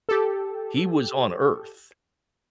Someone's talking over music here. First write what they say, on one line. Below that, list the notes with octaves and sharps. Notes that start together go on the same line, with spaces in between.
He was on Earth.
G4 A4